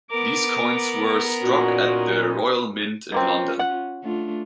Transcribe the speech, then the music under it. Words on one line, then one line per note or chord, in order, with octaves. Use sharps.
These coins were struck at the Royal Mint in London.
B3 A#4 D6
A#2 C#4 D#4 F#4
B2 A#3 C4 C#4 F4
F#5
A3 D4 F4